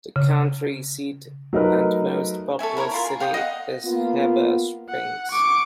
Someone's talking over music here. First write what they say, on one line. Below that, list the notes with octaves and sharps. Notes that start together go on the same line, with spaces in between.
The county seat and most populous city is Heber Springs.
C#3
F#3 A3 D#4 A#4 B4
A4 C#5 E5 G#5
E4 A#4 B4 C#5
E4 F4 A#4
G#4
F5 G5 D6 D#6
D#5 F5 F#5
A#3 B3 F4
F#5
C#6 D6